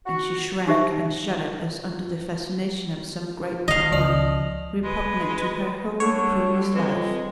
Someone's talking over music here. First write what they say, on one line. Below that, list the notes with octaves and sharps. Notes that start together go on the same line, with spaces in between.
And she shrank and shuddered as under the fascination of some great power, repugnant to her whole previous life.
F#4
D#4 G4 C5 E5
D#3 D#5 F5
C#2 F3 D5 F7
G#3 B4
D3 G3 C#5
F2 G#3 C4 B4